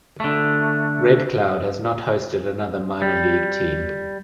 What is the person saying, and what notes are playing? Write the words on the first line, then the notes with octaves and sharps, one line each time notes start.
Red Cloud has not hosted another minor league team.
D3 A3
G3